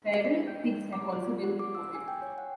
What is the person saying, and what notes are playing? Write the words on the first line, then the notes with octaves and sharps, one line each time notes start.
Feral pigs have also been reported.
D5
E4
G5
D#4
D6
F4
D5
F#5
D6
E6
G#5
G5
C#5
F#5